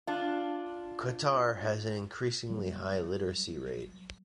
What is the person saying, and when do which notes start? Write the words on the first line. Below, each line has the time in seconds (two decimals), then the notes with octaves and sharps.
Qatar has an increasingly high literacy rate.
0.07 D4 F4
2.50 F#3 G3 A#3